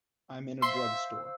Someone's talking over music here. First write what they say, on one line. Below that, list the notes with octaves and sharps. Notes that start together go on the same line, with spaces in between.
I'm in a drugstore.
C5 E5 F5 C6 E6